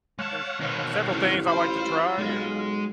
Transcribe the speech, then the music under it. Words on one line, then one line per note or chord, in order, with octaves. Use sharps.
there's several things I like to try, and,
G#3 C#5 F5 F#5 A5
B2 D#3 C4
A1 G2 C3
F4 G4 C5 B5
B1 G#3